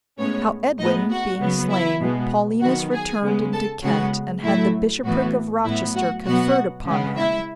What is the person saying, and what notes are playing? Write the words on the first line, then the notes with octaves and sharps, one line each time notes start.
How Edwin being slain, Paulinus returned into Kent, and had the bishopric of Rochester conferred upon him.
A2 G#3 B3 C#4 C#5
A2 G#3 B3 D#4 D#5
F#4 F#5
C#3 F#3 B3
E4 E5
B2 G#3 B3
D#3 F#3 B3 F#4 F#5
G#4 G#5
C#3 G#3 B3
A4 A5
C#3 G#3 B3 F#4 F#5
A2 F#3 A3 E4 E5
A2 E3 B3 F#4
A2 F#3 B3 E4 E5
F#4 F#5
B2 F#3 B3 F#4 F#5
C#3 G#3 B3
E4 E5